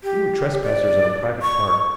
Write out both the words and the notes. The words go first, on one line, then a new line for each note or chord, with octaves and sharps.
We were trespassers in a private park.
G4
D5
C#6